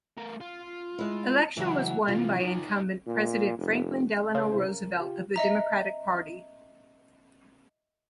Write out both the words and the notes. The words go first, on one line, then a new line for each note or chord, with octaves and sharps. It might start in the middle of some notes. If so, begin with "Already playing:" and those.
Election was won by incumbent President Franklin Delano Roosevelt of the Democratic Party.
A3 A#4
F4
G#3 E4
C#2 E3 F#3
C3 E3 F4
D#4 C#5
A#2
F1
C#3 B4 F5 C6
C3 E4 C5
A#4
F4 G4
D#5 E5 A#5